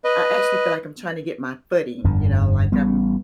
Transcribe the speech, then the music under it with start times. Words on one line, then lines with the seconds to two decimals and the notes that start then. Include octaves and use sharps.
I actually feel like I'm trying to get my footing, you know, like I'm
0.04 B4 D#5
2.04 G1 F2 D3
2.72 A1 G3 B3